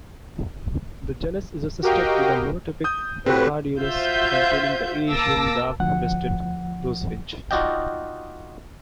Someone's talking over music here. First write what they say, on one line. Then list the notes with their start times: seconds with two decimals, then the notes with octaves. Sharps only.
The genus is a sister to the monotypic "Procarduelis" containing the Asian dark-breasted rosefinch.
1.83 F#4 G4 A#4 D#5 F5 G5
2.84 D#6 G6
3.26 A2 C4 F#4 G4 A4 B4 G5
3.81 F4 F#4 C5 E5 G6
5.10 A#3 A5 D6 E6 A#6
5.80 D2 F3 F#5
7.51 D#4 F4 F#4 D5 D#5 G5